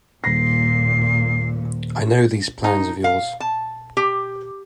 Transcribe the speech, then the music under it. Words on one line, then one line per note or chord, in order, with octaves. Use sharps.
I know these plans of yours.
D#1 A#2 A#6 C7
D#4
F5
A5
G4